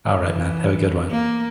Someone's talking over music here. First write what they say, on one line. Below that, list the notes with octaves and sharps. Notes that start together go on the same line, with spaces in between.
Alright, man, have a good one.
E3
A#3